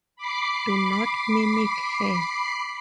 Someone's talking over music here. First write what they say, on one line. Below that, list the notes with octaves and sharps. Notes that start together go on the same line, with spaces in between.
Do not mimic her.
B5 D6 C7